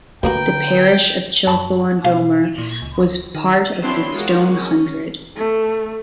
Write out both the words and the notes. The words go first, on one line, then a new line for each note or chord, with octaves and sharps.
The parish of Chilthorne Domer was part of the Stone Hundred.
D2 D3 A#3 F#4 B4 G5 A#5
F#2 F#4 A5 B5
B2 F5
A#2
C#2
D#3
F#3 B3 C4 D4 E4 C6
G#3 F4 F#4 A#4
C#4
A3